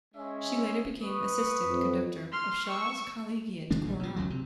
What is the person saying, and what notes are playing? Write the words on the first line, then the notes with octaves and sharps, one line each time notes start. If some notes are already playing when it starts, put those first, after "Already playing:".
She later became assistant conductor of Shaw's Collegiate Chorale.
G#3 C#4 E5
B4 C#6 D#6
F2
C6 F6
C#6 E6
C#2 D#3 G#3 D4
A#1 G3
B2 F3
C#2 C#3 F#3
C3